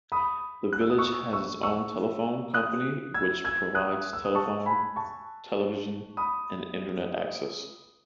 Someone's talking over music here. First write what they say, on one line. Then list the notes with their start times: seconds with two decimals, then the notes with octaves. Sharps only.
The village has its own telephone company, which provides telephone, television, and internet access.
0.12 B5 D#6
0.73 F#6
0.81 E6
0.90 D#6
0.98 C#6 E6
1.33 C#6 E6
1.63 C#6 E6
2.54 D#6 F#6
3.14 E6 G#6
3.45 E6 G#6
3.75 D#6 F#6
4.13 E6
4.24 D#6
4.35 A5 C#6
4.66 G#5 B5
4.96 A5 C#6
6.17 B5 D#6